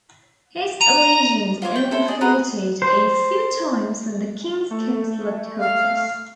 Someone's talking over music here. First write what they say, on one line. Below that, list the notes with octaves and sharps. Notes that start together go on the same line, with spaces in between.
His allegiance only faltered a few times when the king's cause looked hopeless.
A#5 D#7 F7
F4 C5 C#5 D6
G5
E4 A4 C5
G#4 D5 D#5
F#4 G#4 B4 A#5
C5
A3
F5